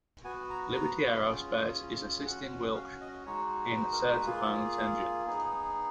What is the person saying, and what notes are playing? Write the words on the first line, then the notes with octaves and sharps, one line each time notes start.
Liberty Aerospace is assisting Wilksch in certifying this engine.
B3 F#4 G#5
A#5
A#5
C#4 F4 G#4
C#4 F#4 F#5
F5
D#5
G#3 D#4 F#4 C#5
B4
A#4
B4
A#3 F4 G#4
B3 D#4 G#4